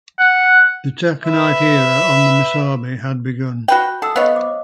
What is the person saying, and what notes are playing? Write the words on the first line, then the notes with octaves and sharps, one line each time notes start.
The taconite era on the Missabe had begun.
F#5
B4 E5
F#4 B4 G5
A4 F#5 D#6 E6
B3 C#5 D#5 F5
C5 D6